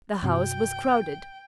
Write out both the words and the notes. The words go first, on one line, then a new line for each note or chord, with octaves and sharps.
The house was crowded.
G2 C3 F#4 G5